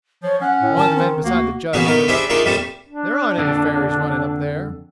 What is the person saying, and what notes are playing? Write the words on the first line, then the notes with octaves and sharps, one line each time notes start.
One of the men beside the Judge interrupted: "There aren't any ferries running up there."
F3 C#5
C#4 F#5
A2
D#3 A5
C4
D2 A#3 F#4
A1 B2 A#3 B3 F#4 G#4
A3 B3 D#4 A#4
G3 D4 G#4 C5 E5
A3 D4 D#4 F4 G#4 A#4
F2 A#2 G3 A3 C5 A5
D4
F2 D3